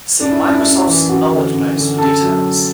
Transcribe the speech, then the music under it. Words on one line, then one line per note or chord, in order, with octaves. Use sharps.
See Microsoft's knowledge base for details.
F#2 D4
E4
F#2 D4
E4
F#2
E3
F#2 F#4
D3
F#2
D3
F#2 A4
F#3